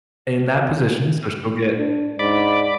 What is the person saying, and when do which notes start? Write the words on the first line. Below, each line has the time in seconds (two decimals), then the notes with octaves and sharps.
in that position, so she'll get
1.78 D4
2.19 G#2 D5 B5 D6